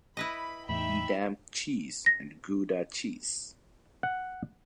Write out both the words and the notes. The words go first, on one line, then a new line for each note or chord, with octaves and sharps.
Edam cheese and Gouda cheese.
E4 B4 D#5 B5
E2 A2 D#4 E5 G5 B5
A#6
F#5